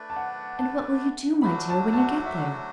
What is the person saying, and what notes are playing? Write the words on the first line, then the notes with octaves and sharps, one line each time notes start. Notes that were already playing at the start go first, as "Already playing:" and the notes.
And what will you do, my dear, when you get there?'
Already playing: A3 D4 B4 D5
A5
F#5
A5
F#3 A3 D4 F#4 B5
A5
A5
F#5
E5